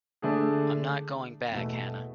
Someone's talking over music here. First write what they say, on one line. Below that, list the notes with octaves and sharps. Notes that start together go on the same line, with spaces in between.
I’m not going back, Hannah.
D3 A3 D4 G#4
E2 B2 A3